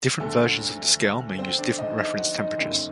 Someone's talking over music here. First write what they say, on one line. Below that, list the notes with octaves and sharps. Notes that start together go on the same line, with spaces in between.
Different versions of the scale may use different reference temperatures.
D2 D3 F#3 A3 C4 A4
C4 C5
D4 D5
D#4 D#5
D#4 D#5
F#4 F#5
D#4 D#5
G1 F#2 D#3 A3 C4